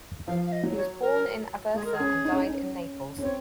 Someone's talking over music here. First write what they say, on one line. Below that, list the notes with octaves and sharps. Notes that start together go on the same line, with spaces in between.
He was born in Aversa and died in Naples.
F3 F5
F5
D#5
F#3
C#5
A#4
G#3 G#4
A#4
G#4
C#4
D#4
C#4
D#4
C#4
C#4
C4 C#5